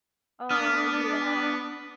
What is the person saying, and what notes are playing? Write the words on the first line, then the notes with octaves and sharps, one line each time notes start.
Oh, yeah.
B3 D4 D#6 F6